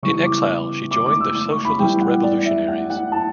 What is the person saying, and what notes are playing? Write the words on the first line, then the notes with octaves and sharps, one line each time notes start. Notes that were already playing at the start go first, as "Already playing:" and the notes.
In exile she joined the Socialist Revolutionaries.
C#3 E3 G3 B3 C#6
D6
D6
D6
E6
D6
C#6
B5
G2 E3 G3 B3 G5
F#5
D5
E5
F#5
F#5
A5